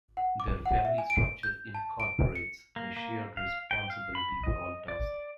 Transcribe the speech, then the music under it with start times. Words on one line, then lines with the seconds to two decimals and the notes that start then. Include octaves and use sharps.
Their family structure incorporates a shared responsibility for all tasks.
0.17 F#5
0.40 D6
0.66 F#5
0.85 E5
0.98 G#5
1.10 D7
1.43 G6
1.75 A5
2.00 D7
2.35 C#7
2.76 A#3
2.96 A#3
3.37 F5
3.71 G5
3.90 F5
4.15 B5
4.43 D#5
4.88 D5